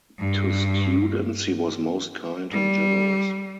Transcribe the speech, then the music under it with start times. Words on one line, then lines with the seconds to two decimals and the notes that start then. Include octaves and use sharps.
To students he was most kind and generous.
0.19 G2
2.52 G3